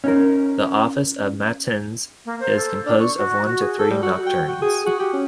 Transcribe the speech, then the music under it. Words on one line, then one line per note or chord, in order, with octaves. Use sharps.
The office of Matins is composed of one to three nocturns.
C#4 D#4 A#4
A#3
C5
A4
D4
C#6
F#4
G#4
A4
G3
F#4
G5
F#4
G#4
F#4
G4
C#4